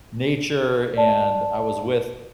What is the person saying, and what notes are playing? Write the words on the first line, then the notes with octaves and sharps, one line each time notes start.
nature and I was with,
D5 A5